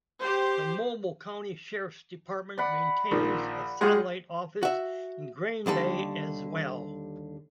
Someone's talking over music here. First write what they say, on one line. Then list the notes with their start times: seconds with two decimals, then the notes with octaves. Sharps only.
The Mobile County Sheriff's Department maintains a satellite office in Grand Bay as well.
0.21 G4 C5
2.58 D5 F#5 B5
3.11 A#1 D#3 F3
3.81 G#3 F4 G4 G#4 F#5
4.63 F#4 E5
5.66 D#2 D3 G3 A4